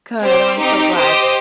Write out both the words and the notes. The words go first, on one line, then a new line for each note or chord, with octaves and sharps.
Good. Oh, I'm so glad.
C4 G4 C5
C4 D#4 G4
G4 C5 D#5